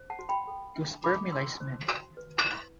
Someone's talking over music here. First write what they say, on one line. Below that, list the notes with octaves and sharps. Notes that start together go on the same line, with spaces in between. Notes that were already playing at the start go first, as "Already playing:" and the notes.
To 'spermulise' men.
Already playing: C5
F#5 A5
F#4
G5 B5
A4
D4
A4 B5 D6
E4 C6 E6
C5
F#4
B4
E4